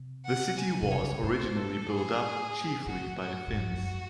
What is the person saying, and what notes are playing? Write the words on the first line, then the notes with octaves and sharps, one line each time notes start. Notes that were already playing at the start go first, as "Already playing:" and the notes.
The city was originally built up chiefly by Finns.
Already playing: C3
F#5
G#5
C3
C#3 C#5
A2 C5
A4
G#4
A2 F#4
F#4
A2
G#2 F#4
F#2